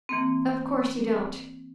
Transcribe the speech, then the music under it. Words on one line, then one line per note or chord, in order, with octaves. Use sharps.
Of course you don't.
E3 A#3 C4